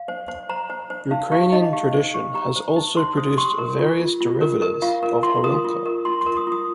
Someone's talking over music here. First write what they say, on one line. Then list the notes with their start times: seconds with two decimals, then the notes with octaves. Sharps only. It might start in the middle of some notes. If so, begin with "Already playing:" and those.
Ukrainian tradition has also produced various derivatives of horilka.
Already playing: F5
0.08 C5
0.28 C5
0.49 C5 A#5
0.70 C5
0.90 C5
1.11 D#4 F5
1.32 G4 F5
1.52 D#4 D#5
1.73 G4 F5
1.94 C5
2.14 G4
2.35 G4 A#5
2.56 C5
2.76 D#4
2.96 C5 C6
3.17 C5 D#6
3.38 G4 C6
3.58 A#4
3.79 F4
4.00 F4
4.21 F4
4.41 A#4
4.62 A#4
4.82 F4 F5
5.03 A#4
5.23 F4 C6
5.44 A#4 D#6
5.65 F4
5.86 A#4
6.05 F4 C6
6.21 C6
6.26 A#4
6.37 D#6
6.47 F4 D#6